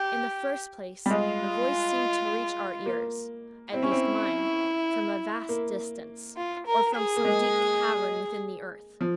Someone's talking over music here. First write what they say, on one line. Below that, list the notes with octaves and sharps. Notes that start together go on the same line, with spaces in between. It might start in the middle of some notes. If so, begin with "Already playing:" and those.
In the first place, the voice seemed to reach our ears--at least mine--from a vast distance, or from some deep cavern within the earth.
Already playing: G4
G3
G#3 F4
A#3
C4 E4
C#4
C4
A#3
F4
A#4
G#4
A#3
G#3
F3